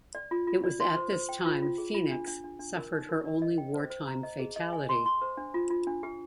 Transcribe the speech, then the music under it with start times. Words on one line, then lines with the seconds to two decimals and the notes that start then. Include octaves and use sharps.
It was at this time "Phoenix" suffered her only wartime fatality.
0.15 D5
0.31 F4
0.47 F4
0.64 D5
0.80 C6
0.97 C5
1.13 C5
1.29 G5
1.46 F4
1.62 F4
1.78 G#4
1.94 F4
2.11 D4
2.27 D4
2.44 D4
2.59 D4
2.76 A#4
2.92 D#4
3.09 A#4
3.25 D5
3.42 D#5
3.58 G5
3.74 C5
3.90 C5
4.08 A#5
4.23 D#5
4.40 G#4
4.56 D#5
4.73 G#5
4.89 C6
5.06 C6
5.22 C5
5.37 D4
5.54 F4
5.70 F4
5.87 D4
6.03 G4